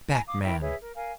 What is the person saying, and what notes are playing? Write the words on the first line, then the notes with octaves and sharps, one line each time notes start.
"Back, man!"
E4 G#5 A#5
F5 D6 D#6
E4 A#4 E5 G5
G#4 B4 C#5 E5
A#4
A#4 F5 G#5